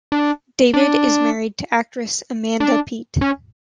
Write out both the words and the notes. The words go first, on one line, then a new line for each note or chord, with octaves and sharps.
David is married to actress Amanda Peet.
D4
D4
D4
C#4